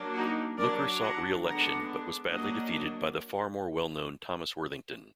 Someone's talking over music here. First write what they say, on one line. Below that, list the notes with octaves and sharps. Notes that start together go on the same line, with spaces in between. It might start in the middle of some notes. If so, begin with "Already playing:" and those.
Looker sought re-election but was badly defeated by the far more well-known Thomas Worthington.
Already playing: F#3 A#3 D4
D#4 F#4
F#3 D4 A#4 D5
F#5 A#5
D3 G#3 B3 D4 F#5 A#5
F#3 A#3 D4 D#5 F#5